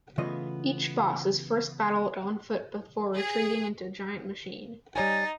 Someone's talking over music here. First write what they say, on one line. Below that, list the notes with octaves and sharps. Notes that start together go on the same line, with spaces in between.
Each boss is first battled on foot before retreating into a giant machine.
C#3 E3 A3 B3 F4 D#5
G#4
G3 D#4 C#5 G#5 A6